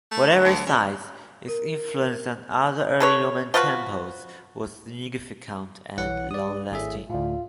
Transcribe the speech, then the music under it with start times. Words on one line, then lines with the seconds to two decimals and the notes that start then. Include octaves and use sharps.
Whatever its size, its influence on other early Roman temples was significant and long-lasting.
0.11 A3
0.31 D2
0.44 D2
0.66 C#3
1.48 A#4
3.00 A4 B4 C#5
3.54 F3 F4 F#4 B4
5.98 B1 E3 C#5 F#5
6.31 G2 D5 D#6
6.71 G#1 A2 G#4 E5
7.10 D2 A2 F4